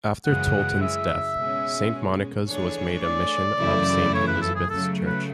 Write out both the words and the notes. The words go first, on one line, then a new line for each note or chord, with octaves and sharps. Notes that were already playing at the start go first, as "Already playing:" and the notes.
After Tolton's death, Saint Monica's was made a mission of Saint Elizabeth's Church.
F#2 C#3 E3 G#3 F#5
E5
B2 G#3 C#4
E3 A3 D4 G#4 C#5
D5
F#2 C#3 E3 A3 E4
C#5
B4
A4
G#4
C#3 F#3 A3 A4
B4